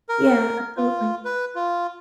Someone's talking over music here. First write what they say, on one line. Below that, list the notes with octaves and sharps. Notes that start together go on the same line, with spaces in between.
Yeah, absolutely.
A#4
F4
B4
F4